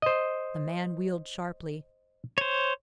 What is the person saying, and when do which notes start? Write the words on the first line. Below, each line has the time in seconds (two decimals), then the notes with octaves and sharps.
The man wheeled sharply.
0.02 C5 D#5
2.38 C5 C#5